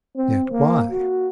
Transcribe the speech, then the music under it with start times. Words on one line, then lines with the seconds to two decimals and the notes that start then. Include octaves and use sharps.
Yet why?
0.17 C4
0.53 A#3
0.91 F#4